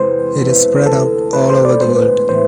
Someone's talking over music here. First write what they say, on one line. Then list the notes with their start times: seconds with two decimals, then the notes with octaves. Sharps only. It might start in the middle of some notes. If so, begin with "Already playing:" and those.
It is spread out all over the world.
Already playing: E2 C3 G#3 C5
0.36 E2 B2 B3 E4
0.85 D2 C3 E3 A4
1.33 D3 A3 D4 B4
1.49 C5
1.65 D5
1.80 A2 G#3 B3 D4 C5
2.29 A2 E3 B3 C5